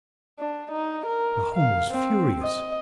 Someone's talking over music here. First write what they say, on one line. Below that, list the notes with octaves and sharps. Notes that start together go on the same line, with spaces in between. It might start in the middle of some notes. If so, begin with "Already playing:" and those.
Pahom was furious.
D4
D#4
A#4
F5
C4
D#5